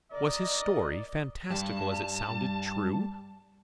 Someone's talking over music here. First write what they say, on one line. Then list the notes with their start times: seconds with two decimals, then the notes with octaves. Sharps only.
Was his story, fantastical as it sounded--true?
0.12 A#4 D5 D#5
1.51 G2 G3 A5